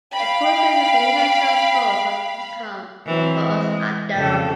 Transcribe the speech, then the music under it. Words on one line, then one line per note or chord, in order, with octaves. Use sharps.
The tourism is an essential source of income for Aust-Agder.
F5 G5 B5
E3 F#3 C4
G#3
F2 C#3 A4